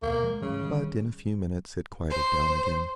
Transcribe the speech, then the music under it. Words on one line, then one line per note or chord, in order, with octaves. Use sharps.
But in a few minutes it quieted down again.
D2 B2 A#3
F3 G#3
G#2 C#3 E3 G3
D#3 G3
C5